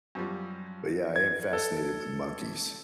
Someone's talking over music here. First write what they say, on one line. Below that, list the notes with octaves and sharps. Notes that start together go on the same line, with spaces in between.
but, yeah, I am fascinated with monkeys.
F#2 F3 G3
G#6
A4